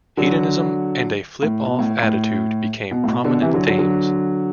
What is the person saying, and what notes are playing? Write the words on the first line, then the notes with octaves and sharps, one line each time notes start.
Hedonism and a flip-off attitude became prominent themes.
D3 F#3
A2
B2
A2
A2
B2
A2
B2
B2 D3
C3 E3
D3 F#3
D3 F#3
D3 F#3